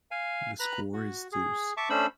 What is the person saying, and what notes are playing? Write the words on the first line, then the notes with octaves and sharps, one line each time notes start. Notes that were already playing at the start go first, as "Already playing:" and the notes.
The score is deuce.
F5 G#5
B4 A#5 B5 F#6
F#4
G#4
E5 A5 C#6 D6
A3 C#4 D4 C5 B5 E6